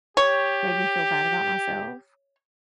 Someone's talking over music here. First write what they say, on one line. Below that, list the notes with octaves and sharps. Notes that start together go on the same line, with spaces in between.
made me feel bad about myself,
G4 C#5